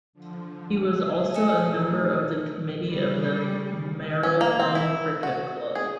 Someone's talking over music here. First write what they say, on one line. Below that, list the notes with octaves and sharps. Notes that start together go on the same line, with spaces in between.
He was also a member of the Committee of the Marylebone Cricket Club.
D3 F3
A3 G#4
A4 D#5 G#5
D#4
C#3 G3
C#4
A#3
C4
E4
F#4
G#4